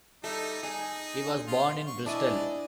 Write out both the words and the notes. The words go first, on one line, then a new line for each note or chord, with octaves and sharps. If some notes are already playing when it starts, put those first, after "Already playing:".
He was born in Bristol.
G3 D#4 A4 E5
D#4 G#4 G#5
F4
C#6
D4 E4 D5 D#5 G#5